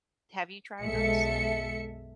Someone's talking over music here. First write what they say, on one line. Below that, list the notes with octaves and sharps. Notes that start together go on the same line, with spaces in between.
Have you tried those?
B1 F#2 G#3 A4 E5 C#7